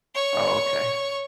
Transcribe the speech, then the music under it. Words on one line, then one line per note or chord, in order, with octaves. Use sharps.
Oh, okay.
C#5 C#6